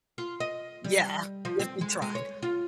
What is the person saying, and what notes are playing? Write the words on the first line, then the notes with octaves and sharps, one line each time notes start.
Yeah, if you tried.
F4
D#5
G3
F3
C4
G#3
G#3
C#5
F4